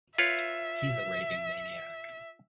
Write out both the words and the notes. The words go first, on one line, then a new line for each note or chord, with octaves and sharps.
He's a raving maniac.
F4 B4 C#5 E5